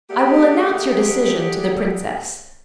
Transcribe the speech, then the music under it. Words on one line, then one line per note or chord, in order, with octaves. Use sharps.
I will announce your decision to the Princess.
A3 A#3 G4 G#4 D5 F#5